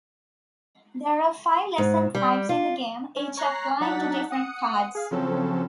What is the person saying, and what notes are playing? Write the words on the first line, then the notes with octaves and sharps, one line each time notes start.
There are five Lesson types in the game, each applying to different cards.
G#2
G3
F4
C#4
C#5 A#5 F#6 A#6 C7
F#3 D4 D#4 F#5 A6 B6
F#5 D#6 C#7
G#4 F5
C#3 F3 F#3 C4 C#4 A4